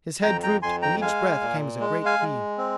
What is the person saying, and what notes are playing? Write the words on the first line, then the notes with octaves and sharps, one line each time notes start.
His head drooped and each breath came as a great heave.
F2 G5 A#5
G5 A#5
F2 G#5 C6
G5 A#5
G#3 F5 G#5
A#2
G#3
F5 G#5
G#3
C4